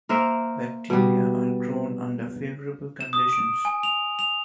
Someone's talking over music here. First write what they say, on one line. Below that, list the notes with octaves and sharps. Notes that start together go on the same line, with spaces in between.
Bacteria are grown under favourable conditions.
A#3 A#4 C5 E5
B2 G3
E7
D#6
D7
G#5
F7
F7